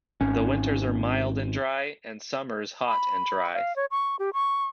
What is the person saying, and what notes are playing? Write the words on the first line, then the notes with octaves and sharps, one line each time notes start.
The winters are mild and dry and summers hot and dry.
G#1 C#4
B5
F5
C#5
C#6
G4
C#6